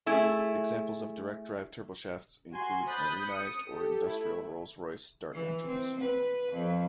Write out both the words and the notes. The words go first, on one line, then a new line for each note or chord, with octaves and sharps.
Examples of direct-drive turboshafts include marinised or industrial Rolls-Royce Dart engines.
A3 E4 G#4
F#4 G#5 C6
B5 D#6 F#6 G6 A6
D#6 C#7
G4 A4
A3 E4
E3
C4
B4
F2